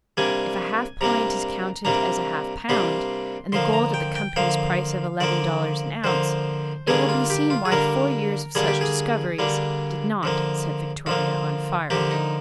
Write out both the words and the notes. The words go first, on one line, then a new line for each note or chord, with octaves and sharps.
If a half-pint is counted as a half-pound and the gold at the company's price of eleven dollars an ounce, it will be seen why four years of such discoveries did not set Victoria on fire.
C3 G3 A#3 D4 G#5
C3 G3 A#3 D4 A#5
C3 G3 A#3 D4 A#5
C3 G3 A#3 D4 C6
D3 F3 A#3 C6
A#5
G5
G5
D3 F3 A#3 F5
D3 F3 A#3 D5
D3 F3 A#3 C5
D3 G3 A#3 D4 G#4
F4
G4
F4
G#4
D3 G3 A#3 D4 A#4
D3 G3 A#3 D4 G#4
G4
G#4
D3 G3 A#3 D4
D3 F3 A#3
D3 F3 A#3 F4
D3 F3 A#3 G4
D#4